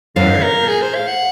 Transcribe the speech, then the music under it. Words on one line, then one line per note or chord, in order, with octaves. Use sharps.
Right, right, right, right.
F#2 F5
A#4
G#4
C5
F5
F#5